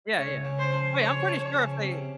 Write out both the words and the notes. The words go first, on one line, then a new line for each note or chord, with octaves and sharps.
Yeah, yeah, oh, yeah, I'm pretty sure if they
C#2 C#5
C#3
C5
F3
C#3 C#5
F3
C#3
C3